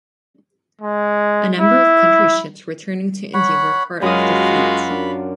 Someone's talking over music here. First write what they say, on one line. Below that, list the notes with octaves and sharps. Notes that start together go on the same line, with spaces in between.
A number of country ships returning to India were part of the fleet.
G#3
E4
C#5 F#5 B5
F#2 G#3 F4 F#4 A#4 B5 D#6
D4